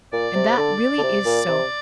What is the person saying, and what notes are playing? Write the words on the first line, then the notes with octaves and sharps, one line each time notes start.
And that really is so.
A#2 D5
C3
C3
D3
D3
C3
A#2
C3